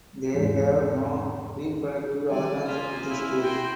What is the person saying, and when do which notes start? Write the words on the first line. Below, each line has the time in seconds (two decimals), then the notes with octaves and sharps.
They have no reproductive organs at this stage.
0.35 E2 G#2
2.31 D#3 F#3 G3 D5 G#5
2.66 A#3 F4 C5 D#6 B6
3.10 E4
3.40 F#4 G5 C6